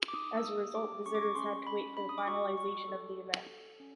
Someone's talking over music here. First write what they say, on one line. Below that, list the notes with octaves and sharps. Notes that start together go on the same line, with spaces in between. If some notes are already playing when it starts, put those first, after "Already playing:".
As a result, visitors had to wait for the finalization of the event.
Already playing: G#4
D6
D#4 D#6
E6
A#3 D#6
G4 D6
C#4 C#6
D6
C#6
C#4 C6
C#4 B5
D4 B5
D#6
D6
F#4 C#6
F#4 C#6
A4
A4
A4
C#4